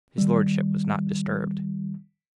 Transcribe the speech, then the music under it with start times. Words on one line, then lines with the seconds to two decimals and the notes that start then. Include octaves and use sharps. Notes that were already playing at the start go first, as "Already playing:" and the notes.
His lordship was not disturbed.
0.18 D#3 G3